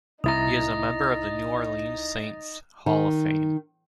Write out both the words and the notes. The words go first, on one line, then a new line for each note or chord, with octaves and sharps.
He is a member of the New Orleans Saints Hall of Fame.
C2 D#4 E4 A#5 D#6 A6 A#6
D#3